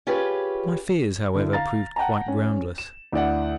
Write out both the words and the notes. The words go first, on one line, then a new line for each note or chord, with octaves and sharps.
My fears, however, proved quite groundless.
C#4 F4 G4 G#4 B4
D3 E4
F5 A#5 A6
F#5 G5 A5 A#5
C#4
E7
D2 E4 D5 F#5